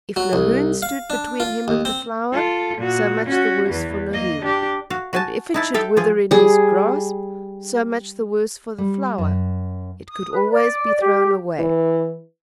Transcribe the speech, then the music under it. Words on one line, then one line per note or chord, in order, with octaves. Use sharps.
If Nahoon stood between him and the flower, so much the worse for Nahoon, and if it should wither in his grasp, so much the worse for the flower; it could always be thrown away.
F#3
C2
F5
D4
F4
D#2
C4
F4 A4
A#2 F#4
C#4 F#4
E2 E3
A#3 D#5
D4 G4
F#4 F5
F#4 G#5 A5
D#4 E4 A5
A4 E5 F5 G5
F3 G#4
G3 G#4
G3
F#2
D#6
B4
D5
G4
E3